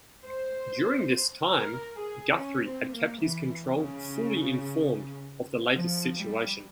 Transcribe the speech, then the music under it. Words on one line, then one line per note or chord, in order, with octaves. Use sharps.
During this time, Guthrie had kept his control fully informed of the latest situation.
C5
A#4
G#4
C#4
C4
A#3
E3
C#3
F3
G3